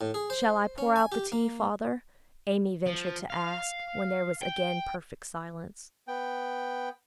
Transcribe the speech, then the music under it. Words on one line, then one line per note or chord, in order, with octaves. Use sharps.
'Shall I pour out the tea, father?' Amy ventured to ask, when there was again perfect silence.
A2
G#4
C5
C#4
G#5
G4
A#3
F3
F5
G5
B3 G5